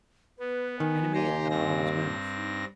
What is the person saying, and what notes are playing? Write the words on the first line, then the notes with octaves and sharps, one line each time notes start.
Enemy at the harbour's mouth.
B3 B4
D#3 G#5
D#2 G4 A#5 C6
G2 C4 A#6
D#4